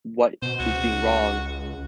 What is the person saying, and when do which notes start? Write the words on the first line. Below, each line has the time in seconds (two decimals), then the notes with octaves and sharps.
what is being wrong.
0.42 B2 C5
0.60 C#2 F#4